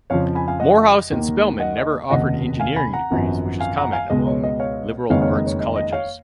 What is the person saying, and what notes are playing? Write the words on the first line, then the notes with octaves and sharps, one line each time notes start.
Morehouse and Spelman never offered engineering degrees which is common among liberal arts colleges.
F2 C#3 F3 C#5 F5
G#5 B5
F5 G#5
D#5 F#5
D#2 D#3 A#3
D#5 F#5
D#5
F1 D#2 C#3 D#5 F#5
F5 G#5
G#5 B5
F#5 A#5
G#1 F#2 F3 B3
F5 G#5
F#5 A#5
F5 G#5
C#2 B2 G#3 B3 D#5
C#5
D#5
C#5 F5
F#1 F2 D#3 G#3 B3 C#5 F5
C#5 F5
D#5
C#5
D#5
D#5
C#5 F5